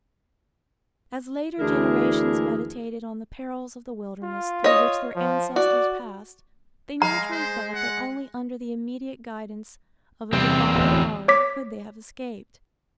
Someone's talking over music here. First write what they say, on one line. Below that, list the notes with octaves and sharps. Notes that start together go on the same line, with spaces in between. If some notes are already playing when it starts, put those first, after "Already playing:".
As later generations meditated on the perils of the wilderness through which their ancestors passed, they naturally felt that only under the immediate guidance of a divine power could they have escaped.
D2 E3 D4 E4 G#4 A#4
F4
C#5 D#5
F3
F#4 D5
G#3 F5 A#5
C5
F#5
E2 C3 G3 C4
D1 A1
C#5 D6 B6